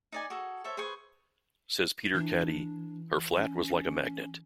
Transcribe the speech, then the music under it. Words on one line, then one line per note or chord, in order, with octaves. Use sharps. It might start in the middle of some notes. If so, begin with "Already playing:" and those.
Says Peter Caddy: Her flat was like a magnet.
D#4 D5 G#5
F#4 G#4 A4
A4 C5 C#5 E5
G#4 B4 C5 C#6
E3 D4
C#4